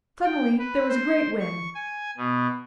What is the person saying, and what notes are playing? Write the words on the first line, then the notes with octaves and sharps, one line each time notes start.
Suddenly there was a great wind.
G5
B4
C5
C#6
G#5
B2